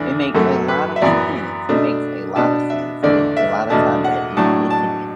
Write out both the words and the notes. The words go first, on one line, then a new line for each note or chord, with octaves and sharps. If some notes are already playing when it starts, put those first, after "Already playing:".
It makes a lot of sense. It makes a lotta sense. Eh, a lotta time that is missing and
Already playing: E2 E3 A3 D4
F#2 F#3 A3 A4
B4
E5
F#2 E3 B3 D5
B2 A3 D4
B2 B3 D4 A5
E5
E2 D3 A3 D4 D5
E5
E2 B2 A3 D4 A5
F#5
A2 F#3 D4 A5
A5